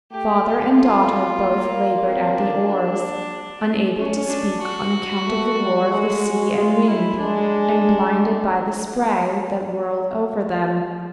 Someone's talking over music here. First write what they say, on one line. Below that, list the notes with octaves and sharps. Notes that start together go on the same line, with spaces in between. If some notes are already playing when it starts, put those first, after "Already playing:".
Father and daughter both labored at the oars, unable to speak on account of the roar of the sea and wind, and blinded by the spray that whirled over them.
A3 G4
G4
F4
A#3
C4
D4
D4
C#4
D4
F#4
A3
G3
G#3
F4
E4
G#3 D4